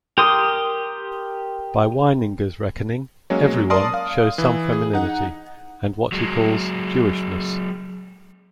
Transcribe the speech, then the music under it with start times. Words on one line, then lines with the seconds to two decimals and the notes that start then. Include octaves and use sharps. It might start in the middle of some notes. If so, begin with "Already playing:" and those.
By Weininger's reckoning "everyone" shows some femininity, and what he calls "Jewishness".
0.18 G4 A#4 C6 D#6
3.30 F#3 G#3 A#3 C#4
3.70 A#4 D5 A5 C6 D#6
3.94 F5
4.38 E3 E4
4.72 G#4
4.93 D#4 F#5
6.12 F#3 G#3